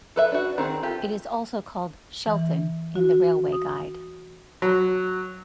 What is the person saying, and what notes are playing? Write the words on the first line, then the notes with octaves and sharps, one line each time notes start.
It is also called "Shelton" in the Railway Guide.
A4 B4 E5
D4 F#4
D#3 C4 G#4
F4 G4 A4
E3
F#4
D#6
F#3